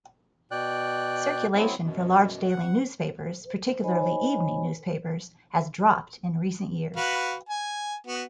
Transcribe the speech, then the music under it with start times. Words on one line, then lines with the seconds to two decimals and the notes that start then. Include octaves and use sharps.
Circulation for large daily newspapers, particularly evening newspapers, has dropped in recent years.
0.51 B2 D5 G5 F#6
1.55 F#3 B3 C4 E4
1.84 F#2 B2
2.49 F#5
3.83 D#4 C5 C#5 D#5 G#5 B5
6.96 F#4 B4 F5
7.49 G#5
8.07 B3 F#4